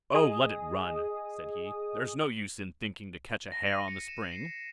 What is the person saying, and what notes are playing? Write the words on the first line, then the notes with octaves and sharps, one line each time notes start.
'Oh, let it run', said he; 'there's no use in thinking to catch a hare on the spring.'
G#4 D#5 D#6
A#6
D#7
C#7
E7
C7